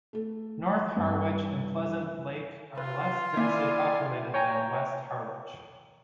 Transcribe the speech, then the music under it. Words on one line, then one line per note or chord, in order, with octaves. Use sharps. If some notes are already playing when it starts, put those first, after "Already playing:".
North Harwich and Pleasant Lake are less densely populated than West Harwich.
A3 A4
G2
F4 B4
D#3 A#3 E4 D5 E5 G#5
C#5 G5 G#5 A#5